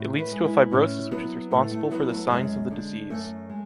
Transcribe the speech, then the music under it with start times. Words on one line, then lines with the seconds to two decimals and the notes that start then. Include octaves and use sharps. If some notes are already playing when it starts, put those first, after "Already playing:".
It leads to a fibrosis which is responsible for the signs of the disease.
Already playing: A2
0.19 B4
0.32 G#3
0.46 E4
0.71 A2 C#4
1.11 F#3 B3
1.51 A2 A3
1.71 A3
1.91 F#3 B3
2.11 A3
2.30 F#2 G#3
2.71 D3 G#3
3.10 F#2 A3
3.49 G#3